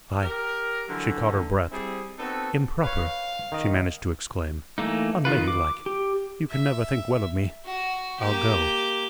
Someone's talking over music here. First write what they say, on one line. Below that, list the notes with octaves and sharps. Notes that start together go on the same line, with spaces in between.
I--" she caught her breath--"improper"--she managed to exclaim, "unlady-like--you can never think well of me--I'll go.
G4 A#4
D3 E3 F#3
G3 C4 E4 G#4
B3 C4 D#4 F#4 A4
B4 C#5 F5
D#3 D#5
E3 A3 A#3 D#4
D#3 F4 B4
D6
G4
E5
F#4
A#3 G4